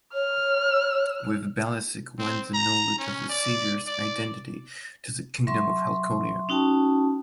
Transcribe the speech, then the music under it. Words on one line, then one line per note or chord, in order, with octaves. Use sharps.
With Balasik went the knowledge of the savior's identity to the kingdom of Halconia.
C#5 F6
C4
A#5
C#4
D5
D5
F#3 E5 C6 C#6
C#4 D#4 F#4 G5 A5